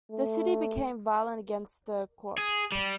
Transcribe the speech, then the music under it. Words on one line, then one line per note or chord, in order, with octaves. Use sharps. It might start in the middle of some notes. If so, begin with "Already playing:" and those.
The city became violent against the Copts.
A3
G#4
G3